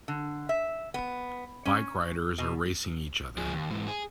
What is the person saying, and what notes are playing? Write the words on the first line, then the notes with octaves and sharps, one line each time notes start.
Bike riders are racing each other.
D3
E5
B3
C#4
B2
F3 G#4
D#2
G#2 E3
G#4